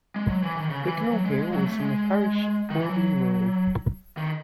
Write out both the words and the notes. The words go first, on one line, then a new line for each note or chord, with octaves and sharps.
Bignall Hill is in the parish of Audley Rural.
G#3
F#3
E3
D#3
C#3
E3
E3
F#3
G#3
G#3
F#3
A3
G#3
D#3
E3
F#3
D#3